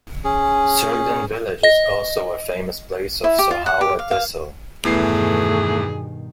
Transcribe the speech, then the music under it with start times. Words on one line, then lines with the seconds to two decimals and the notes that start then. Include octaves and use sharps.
Surgdhan Village is also a famous place of Sohawa Tehsil.
0.24 C#4 G#4
1.63 D#5 A#6
3.24 E4
3.39 G4
3.51 F4
3.66 F#5
3.81 G4
3.99 F5
4.11 F5
4.85 E2 G2 B2 D#3 E3 A3 G#4 C7